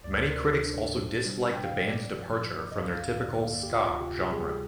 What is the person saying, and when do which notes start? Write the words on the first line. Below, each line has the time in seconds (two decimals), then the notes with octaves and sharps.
Many critics also disliked the band's departure from their typical ska genre.
0.04 D2 D5
0.16 C5
0.29 A#4
0.34 C3
0.41 C5
0.65 D4
0.95 C3
1.25 G3
1.53 C3 G5
1.64 F5
1.76 D#5
1.86 G2 D5
2.17 F3
2.48 G2
2.71 D#5
2.78 D2 F5
3.09 D3
3.24 D5
3.39 A#3
3.63 G4
3.69 D2 F4
4.00 C3 G4
4.21 G4
4.31 G3 G#4